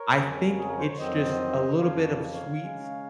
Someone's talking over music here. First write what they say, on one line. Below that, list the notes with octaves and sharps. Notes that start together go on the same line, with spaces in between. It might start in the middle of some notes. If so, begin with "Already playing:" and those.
I think it's just a little bit of sweets
Already playing: A#4 C#5
F2 C#3 F#3 C#4
G#4
A#4
C5
C#5
F2 D#3 F#3 C4 C5 D#5
F2 C#3 F3 A#3 C#5 F5
C#5 F5
C#3 G#3 C#4